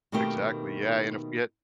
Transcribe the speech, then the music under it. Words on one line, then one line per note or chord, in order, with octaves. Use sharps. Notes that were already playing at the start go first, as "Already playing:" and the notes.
Exactly, yeah, and if we had
B2 D#3 A3 A#3 C4 G4